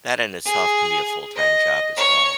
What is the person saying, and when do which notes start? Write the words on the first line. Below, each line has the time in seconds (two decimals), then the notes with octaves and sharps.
that in itself can be a full-time job as well.
0.45 G#4
1.36 D#5
1.97 C#5